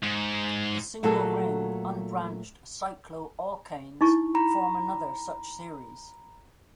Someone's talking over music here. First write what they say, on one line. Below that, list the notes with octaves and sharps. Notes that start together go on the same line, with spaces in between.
The single-ring unbranched cycloalkanes form another such series.
G#2
A#2 F#3 A3 F#4 G#4 A4
D#4 E4 C#6
A#5 B5